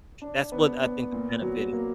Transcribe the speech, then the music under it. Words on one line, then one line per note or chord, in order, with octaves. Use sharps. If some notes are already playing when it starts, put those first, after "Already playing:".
that's what I think the benefit is.
D4
B3
B3
A#2
F#3
A#3